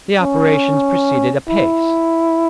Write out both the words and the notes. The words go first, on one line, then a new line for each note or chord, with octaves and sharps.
The operation proceeded apace.
C#4
E4